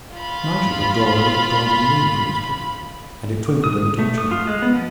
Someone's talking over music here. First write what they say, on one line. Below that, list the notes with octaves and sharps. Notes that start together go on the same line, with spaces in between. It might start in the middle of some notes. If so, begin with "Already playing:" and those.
Nigel had drawn a little golden ring from his pocket, and it twinkled in the torchlight.
F4 B5
D#6
A3
D#6
F4
G#3
B3
F3